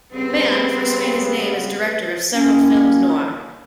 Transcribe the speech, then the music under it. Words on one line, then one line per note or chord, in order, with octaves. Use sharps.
Mann first made his name as director of several films noir.
C#3 G3 B3 C4
A#3 C#4